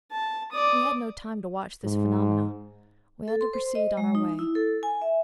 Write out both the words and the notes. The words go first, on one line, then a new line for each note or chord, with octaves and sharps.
We had no time to watch these phenomena; we had to proceed on our way.
A5
D5 D#6
G#2
A4
C6
C5
D#5
G#3
D#4
E4
A4
G#5
E5